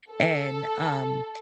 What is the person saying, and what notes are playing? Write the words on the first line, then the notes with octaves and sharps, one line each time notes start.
and, um,
A4